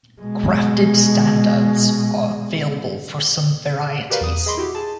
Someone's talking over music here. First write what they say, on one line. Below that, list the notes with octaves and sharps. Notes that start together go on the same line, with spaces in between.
Grafted standards are available for some varieties.
B2 G#3
F#4 G4 A#4 B4 D5 F5
E2 D#6
G#4 D#5 B5 C6 D6
E4 F#4 G4
G#4 A5